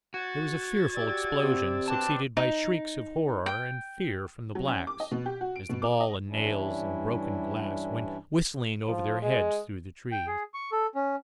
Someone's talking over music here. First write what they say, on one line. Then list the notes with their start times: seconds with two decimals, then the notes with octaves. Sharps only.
There was a fearful explosion, succeeded by shrieks of horror and fear from the blacks, as the ball and nails and broken glass went whistling over their heads through the trees.
0.14 F#4 G#6 A6
0.96 G4 D5 E6
1.43 C3
1.88 B2 C4 D4 A5
2.37 D#4
3.46 G5
4.55 F#3
4.68 C#4
4.87 D6
5.00 D#5
5.11 B2
5.26 G4
5.41 F#4
5.56 D7
5.69 B2
5.82 D6
6.00 D#5
6.28 G2 E3 G3 C#4 D4 E4
8.88 F3
9.22 G#3
10.12 G5
10.27 G#4
10.54 C#6
10.72 A4
10.95 C#4